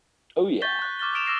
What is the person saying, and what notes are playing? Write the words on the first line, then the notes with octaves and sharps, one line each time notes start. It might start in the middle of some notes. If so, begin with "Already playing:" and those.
Oh, yeah,
C#6 G6 A6 B6 G7
F#6
C#6 D6 F6 F#6 A6 G7
D#6 F6 G6 D7 E7 F7
D6 E6 F6 A#6 C7 E7